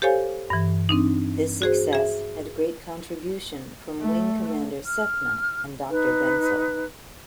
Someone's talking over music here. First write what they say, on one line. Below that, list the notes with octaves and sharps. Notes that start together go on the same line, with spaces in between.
This success had great contribution from Wing Commander Sethna and Doctor Bensal.
G4 A4 C5 C#5 F5 G#5
G2 E3
C4 D4 D#4
F#4 G#4 C5
G#4 E5
A3
F6
D#4 B4